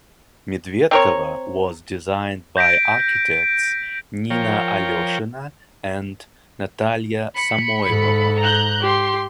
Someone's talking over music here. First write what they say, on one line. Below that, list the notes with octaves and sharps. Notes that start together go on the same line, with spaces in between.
Medvedkovo was designed by architects Nina Aleshina and Natalya Samoilova.
C4 A#4 C#5
G6 A#6 B6 D7
F3 A#4 C#5 G5
B5 C#7
G#2 A4
A#5 F#6 G6
G4 C6